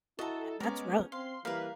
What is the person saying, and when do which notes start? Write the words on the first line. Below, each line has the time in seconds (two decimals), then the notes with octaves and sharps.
ah, that's rough,
0.19 E4 F#4 A4 D#5 A5 A#5
0.60 G#3 B3 C#4 A#4 D5 A#5
1.12 C4 F5 C6
1.45 E3 G3 A#3 A#4 B4 F5